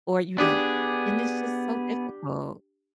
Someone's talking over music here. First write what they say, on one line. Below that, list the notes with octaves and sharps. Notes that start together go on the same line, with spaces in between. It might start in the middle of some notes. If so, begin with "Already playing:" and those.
or you don't, and it's just so difficult.
B3 D4 G4 G#4